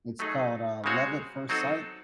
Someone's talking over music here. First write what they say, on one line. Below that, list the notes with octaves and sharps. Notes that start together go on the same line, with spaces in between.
It's called, uh, Love at First Sight
F#3 A3 D#4 G#4
C#3 G#3 C4 F#4 C#5
F#3 C4 D#4 F#4 A4